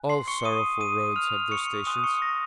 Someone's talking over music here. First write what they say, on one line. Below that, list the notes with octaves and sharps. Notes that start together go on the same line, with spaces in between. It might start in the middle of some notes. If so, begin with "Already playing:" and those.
All sorrowful roads have their stations.
Already playing: G#5 F#6
C6 C7
C#6 C#7
D#6 D#7
D#6 D#7
F6 F7
C#6 C#7
G#5 C6 D#6 F#6 D#7
C#6 C#7
A#6